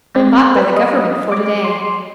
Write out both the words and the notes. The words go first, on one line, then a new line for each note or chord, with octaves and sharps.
"I'm bought by the government for to-day."
C4
B4
D#5
D6
C6